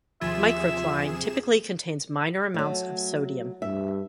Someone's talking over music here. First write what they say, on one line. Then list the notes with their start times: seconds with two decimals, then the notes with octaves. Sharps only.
Microcline typically contains minor amounts of sodium.
0.21 D#2 C3 F3 F4 G#4 E5 G#6 E7
2.54 F#3 A3
3.62 G2 E5